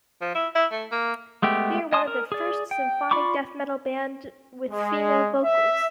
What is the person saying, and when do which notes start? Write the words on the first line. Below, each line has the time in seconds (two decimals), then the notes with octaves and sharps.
They are one of the first Symphonic Death Metal band with female vocals!
0.21 F3
0.35 E4
0.55 E4
0.72 A3
0.91 A#3
1.42 G#3 A3 B3 G4
1.93 D#5 G#5 A5 C6 D#6
2.07 A#4
2.32 G#4 D5
2.71 G5
3.11 F4 D5 B5 C#6 D6
4.71 G#3
5.44 E5